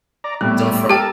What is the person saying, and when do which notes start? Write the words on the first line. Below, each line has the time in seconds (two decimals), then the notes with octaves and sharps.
done from
0.24 D5 A#5
0.41 A2 G3 B3
0.90 G4 A4 A#4 G5 A5